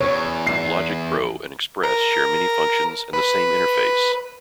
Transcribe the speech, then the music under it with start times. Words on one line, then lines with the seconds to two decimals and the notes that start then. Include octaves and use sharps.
Logic Pro and Express share many functions and the same interface.
0.01 E2 C#5
0.47 C7
1.83 A#4
3.13 B4